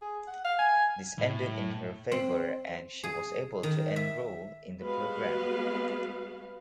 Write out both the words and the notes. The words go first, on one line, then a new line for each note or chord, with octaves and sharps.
This ended in her favor and she was able to enroll in the program.
G#4
F#5
F5
G#5
A2 E4
C4
G#4
D#3
E5
G3 G#3 B3 F#4 B4 F5